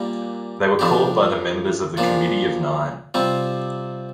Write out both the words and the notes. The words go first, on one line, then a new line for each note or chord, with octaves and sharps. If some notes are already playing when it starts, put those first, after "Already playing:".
They were called by the members of the committee of nine.
Already playing: A#2 G3 A#3
F2 F3 D4 G4
A#2 F3 D4 F4
C3 G3 C4 F4